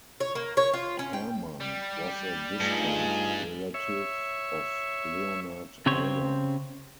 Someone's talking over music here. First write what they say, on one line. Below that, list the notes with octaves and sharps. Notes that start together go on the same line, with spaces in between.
Hermann was a distant relative of Leonhard Euler.
C#5
A#3
C#5
F4
C#4
G5
G3
G2 A3 D#4 F4 G#4
C#5 E5
C#3 C4 G4 C5 C#5